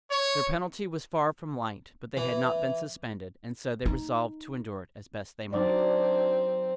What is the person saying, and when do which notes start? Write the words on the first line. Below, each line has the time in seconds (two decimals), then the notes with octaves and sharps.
Their penalty was far from light, but they had not been suspended, and so they resolved to endure it as best they might.
0.11 C#5
2.17 E3
3.86 D#4
5.53 F#3 C4 D4 D#4 D5